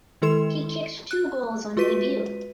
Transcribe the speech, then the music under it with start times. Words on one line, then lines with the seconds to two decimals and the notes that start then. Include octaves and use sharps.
He kicked two goals on debut.
0.22 D#3 G#3 E4 A4 C6 E7
1.11 F#6
1.77 G#3 F4 F#4 B4 B6 D#7